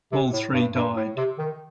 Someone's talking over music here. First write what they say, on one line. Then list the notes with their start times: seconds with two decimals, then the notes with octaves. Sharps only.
All three died.
0.12 C3
0.33 A2
0.54 G2
0.75 G2
0.96 A2
1.17 C3
1.38 D#3